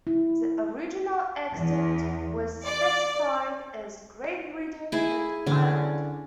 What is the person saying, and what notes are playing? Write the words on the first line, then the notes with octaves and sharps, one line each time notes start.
The original extent was specified as "Great Britain" and "Ireland".
E4
E2
D5
E4 G#4
D3 C#4 D4